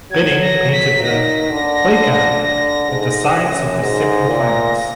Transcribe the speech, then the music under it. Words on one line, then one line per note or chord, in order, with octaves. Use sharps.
Binning painted the "play cart" with the signs of the seven planets.
F#3 G#6
A#6
B6
D#3 A#6
D3
G#2
F#2
G#2 A#6
A#2